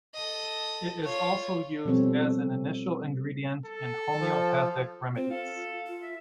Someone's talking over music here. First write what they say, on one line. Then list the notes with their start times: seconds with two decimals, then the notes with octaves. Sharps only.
It is also used as an initial ingredient in homeopathic remedies.
0.14 A4 D#5
1.04 F4 C#5
1.85 B2 F3 G3 C4 A4 C#5
3.66 A4
4.20 F3
5.16 C4 F4
5.30 A4 F5
5.87 F4
6.02 E5